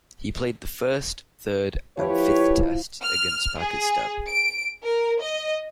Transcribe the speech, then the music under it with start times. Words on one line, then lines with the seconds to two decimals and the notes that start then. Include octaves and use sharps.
He played the First, Third and Fifth Tests against Pakistan.
1.97 F3 E4 G4 B4 C#5
3.04 F6
3.59 G#4
4.27 D7
4.83 A#4
5.21 D#5